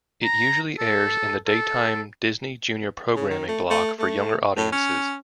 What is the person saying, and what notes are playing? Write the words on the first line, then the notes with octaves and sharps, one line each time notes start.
It usually airs in the daytime Disney Junior programming block for younger audiences.
A#5
A4
A4
C#3
D#3
A3
A3
A3
A2
C#4